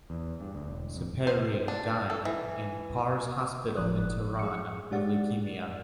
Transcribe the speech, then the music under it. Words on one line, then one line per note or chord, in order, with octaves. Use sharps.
Sepehri died in Pars hospital in Tehran of leukemia.
E2
G2
D2
E1
F2
C5
D4
A4
E3
G1 A2 F3 D5 D#6 F#6
G#4 C#7
G#3 D4 G4 D5 F#5 A6